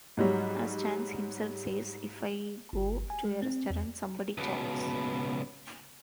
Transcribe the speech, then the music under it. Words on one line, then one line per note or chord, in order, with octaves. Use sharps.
As Chance himself says, If I go to a restaurant, somebody chokes.
G#2 F#3 G3
G1
G#5
G#3
C4
E2
C#2 B2